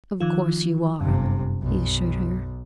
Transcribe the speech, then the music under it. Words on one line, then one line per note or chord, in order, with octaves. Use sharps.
"Of course you are," he assured her.
D#3 F3 F4
G1 F#2 C3
B1